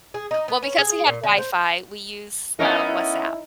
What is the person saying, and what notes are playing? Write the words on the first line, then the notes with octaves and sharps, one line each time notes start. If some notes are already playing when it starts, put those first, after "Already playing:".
Well, because we had Wi-Fi, we use, uh, WhatsApp.
G#4
D#4
B3
C#4
G#4
A#2
D3
C5
B3 C#4 D#4 E4 A#4 C#5 F5
E4